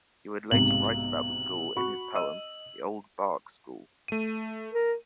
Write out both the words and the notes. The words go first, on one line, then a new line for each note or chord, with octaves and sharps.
He would later write about the school in his poem, "The Old Bark School".
B1 G#2 C3 F#7
F#4 B5 C#6
D#5 E6 D#7
A3 D#7
A#4